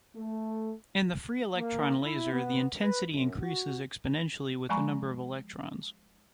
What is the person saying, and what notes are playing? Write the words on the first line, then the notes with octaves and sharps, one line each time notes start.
In the free electron laser the intensity increases exponentially with the number of electrons.
A3
A#3
E4
B3
B4
F#2
F#4
F3 G#3 G#5 A#5 B5 C#6